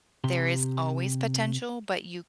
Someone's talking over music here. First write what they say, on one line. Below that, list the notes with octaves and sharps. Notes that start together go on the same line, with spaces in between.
there is always potential, but you
C3 G4 C6